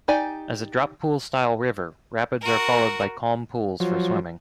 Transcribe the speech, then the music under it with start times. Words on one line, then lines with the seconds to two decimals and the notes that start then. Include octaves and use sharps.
As a drop-pool style river, rapids are followed by calm pools for swimming.
0.08 D#4 G4 D5 G#5
2.41 F#4 A#4
3.80 F3 F#3